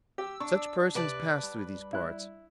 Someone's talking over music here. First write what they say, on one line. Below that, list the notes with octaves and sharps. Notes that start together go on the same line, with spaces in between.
Such persons pass through these parts.
G4 E6
D4 C#6
C3 B4 D5 A5
G3
E4 F#6